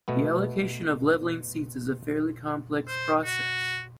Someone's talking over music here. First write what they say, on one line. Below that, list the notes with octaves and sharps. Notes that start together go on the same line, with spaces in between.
The allocation of leveling seats is a fairly complex process.
B2 A3 B3
C5
F#4